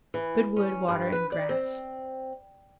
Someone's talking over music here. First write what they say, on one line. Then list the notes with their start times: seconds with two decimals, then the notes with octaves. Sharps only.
Good wood, water, and grass.
0.14 E3
0.56 C#4
0.88 G2
1.12 B4
1.32 D5
1.49 C4